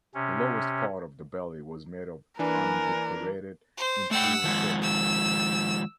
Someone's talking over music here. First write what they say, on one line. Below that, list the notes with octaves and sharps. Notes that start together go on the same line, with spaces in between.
The lowest part of the belly was made of undecorated impure silver.
C3 C#4
E3 A#3 D4 A#4 B4 G#5
C5
A3 F#5 G5 E6
D#3 F3 G#3
E6